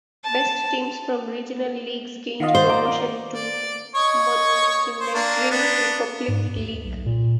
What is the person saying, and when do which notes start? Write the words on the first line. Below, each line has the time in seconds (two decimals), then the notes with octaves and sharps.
Best teams from Regional leagues gained promotion to Montenegrin Republic League.
0.23 A5
2.40 D#3 F4 D#5 F5 F#5
2.55 C5
2.70 D5 A#5 D6
3.33 D5
3.95 C#5 D#5 C#6
5.00 C5
5.15 A#3 D4
5.51 B3 D4
6.28 G#2
6.57 D#2
6.85 B1
7.06 A#2